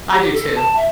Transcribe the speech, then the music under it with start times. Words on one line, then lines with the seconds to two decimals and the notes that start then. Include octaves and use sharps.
I do too.
0.13 G4
0.33 A4
0.55 A5
0.76 E5